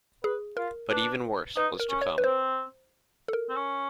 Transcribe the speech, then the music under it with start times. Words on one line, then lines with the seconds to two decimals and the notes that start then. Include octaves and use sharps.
But even worse was to come.
0.24 G#4 B4
0.57 F4 A#4
0.90 D4 B4
1.57 D#4 B4
1.80 A#4
1.90 C#4
2.01 C#5
2.18 B4
2.23 C4 C5
3.28 A4
3.33 A#4
3.49 C4
3.56 C#4